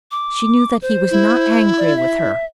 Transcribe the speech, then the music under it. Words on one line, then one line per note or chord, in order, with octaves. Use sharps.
She knew that he was not angry with her.
D6
C5
E4
D5
E5